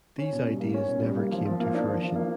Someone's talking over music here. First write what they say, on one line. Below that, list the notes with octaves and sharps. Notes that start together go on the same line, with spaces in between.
These ideas never came to fruition.
C#4
B2
G3
A#3
C#4
B2
G3
A#3
F3
F3
A#3
D4
F3
F3
A#3